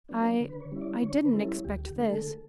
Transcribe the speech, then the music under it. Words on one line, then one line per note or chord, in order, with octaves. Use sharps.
I--I--didn't expect this.
F#3 B3 D4
D3
B4
C#5
G3 C#4 E4
D5
D3 C#5
B4
G3 C#4 E4 A4
D2 G4
G4
D3 A3
A4